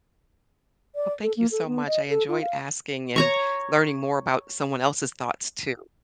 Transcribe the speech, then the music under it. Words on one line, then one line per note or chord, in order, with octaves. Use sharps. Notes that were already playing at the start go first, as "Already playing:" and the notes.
Well, thank you so much. I enjoyed asking and learning more about someone else's thoughts too.
D5
A4
A#3
A4
B3
D#5
A4
F4
F5
C#5 A#5 C#6